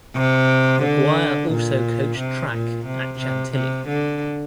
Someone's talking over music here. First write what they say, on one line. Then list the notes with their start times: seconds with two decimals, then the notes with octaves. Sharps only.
McGuire also coached track at Chantilly.
0.16 C3
0.84 D3
1.51 A#2
2.18 C3
2.52 A#2
2.86 C3
3.20 C3
3.54 C3
3.88 D3